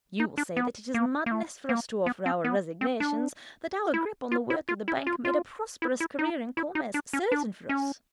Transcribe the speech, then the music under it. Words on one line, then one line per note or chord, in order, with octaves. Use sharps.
You will say that it is madness for us to offer our resignations, that our grip on the work of the bank made a prosperous career in Commerce certain for us.
D#4
D4
B3
A#3
A#3
A3
A#3
B3
C4
B3
C4
D4
E4
F4
E4
F4
E4
F4
F4
E4
E4
D#4
E4
D#4
D4
C#4
D4
C#4